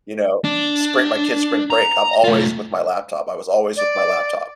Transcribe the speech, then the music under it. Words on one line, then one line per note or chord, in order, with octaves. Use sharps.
you know? Spring my kids' spring break I'm always with my laptop I was always with my laptop.
D4
A#5
A3 F4
D5